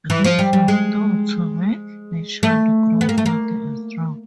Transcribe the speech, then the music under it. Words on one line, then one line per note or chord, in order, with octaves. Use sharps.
This was thought to make the child grow healthy and strong.
E3
F3
G3
G3
G#3
A3
B3
A#3
A3
A#3